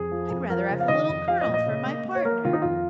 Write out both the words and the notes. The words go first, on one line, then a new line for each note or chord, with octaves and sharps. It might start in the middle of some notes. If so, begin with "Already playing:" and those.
"I'd rather have the Little Colonel for my partner."
Already playing: F2 G#4
F3
F2
F3 A#4
C#3
F5
D#3 D#5
F2
F3 F5
D#5
A#2
D#5
C#3
A#3
A#3
C#5
A#3 A#4
D#3 F4
D#4
F2 F4